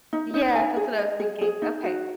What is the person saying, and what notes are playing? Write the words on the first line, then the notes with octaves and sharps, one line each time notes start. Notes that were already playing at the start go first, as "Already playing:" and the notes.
Yes, that's what I was thinking. Okay.
D#4
D#4
G#5
G#4
D#5
G#4
G#4
D#4
F#4